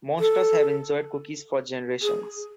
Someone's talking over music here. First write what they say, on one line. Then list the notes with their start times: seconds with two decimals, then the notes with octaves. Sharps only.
Monsters have enjoyed cookies for generations.
0.20 A4
2.02 G#4